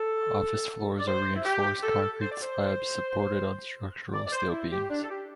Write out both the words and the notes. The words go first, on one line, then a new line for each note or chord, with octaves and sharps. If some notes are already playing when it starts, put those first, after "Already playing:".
Office floors are reinforced concrete slabs supported on structural steel beams.
Already playing: A4
D5
C5
E4
G4
A4
C5
D5
C5
D5
D5
C5
E4
G4
D4
A4
G4